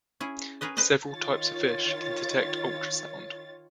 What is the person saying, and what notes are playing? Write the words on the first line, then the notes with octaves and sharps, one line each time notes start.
Several types of fish can detect ultrasound.
C#4 E4 G#4
C#4 G#4 A#4 B4 D#5
A4 B4 C5 D5 D#5
D#3 F4 C#5 A6